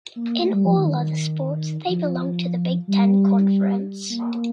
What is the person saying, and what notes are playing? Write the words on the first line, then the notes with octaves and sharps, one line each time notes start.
In all other sports, they belong to the Big Ten Conference.
A#3
A3
G3
F3
D#3
F3
G3
A#3
A#3